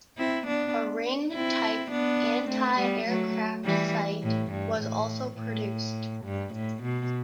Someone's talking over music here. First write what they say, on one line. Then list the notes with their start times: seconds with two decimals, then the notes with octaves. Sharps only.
A ring-type anti-aircraft sight was also produced.
0.18 C4 E4
0.47 B3 D4
1.34 C4 E4
1.92 B3 D4
2.49 A3 C4
2.78 G3 B3
3.07 F#3 A3
3.65 E3 G3
4.23 A2
4.52 G2
4.80 A2
5.38 A2
6.25 G2
6.54 A2
6.83 B2